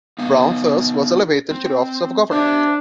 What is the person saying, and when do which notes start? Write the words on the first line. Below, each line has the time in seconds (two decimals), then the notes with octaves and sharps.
Brown, thus, was elevated to the office of governor.
0.19 B3 D#4 F5
1.51 C4
2.31 D4 C5 E5